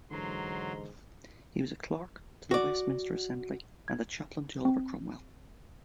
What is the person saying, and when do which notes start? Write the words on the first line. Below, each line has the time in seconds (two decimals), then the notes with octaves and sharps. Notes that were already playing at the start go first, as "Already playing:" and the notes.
He was a clerk to the Westminster Assembly and a chaplain to Oliver Cromwell.
0.11 G#2 D3 E3 F#3 A#5 C6
2.51 F#4 D5
3.88 G#6
4.65 C4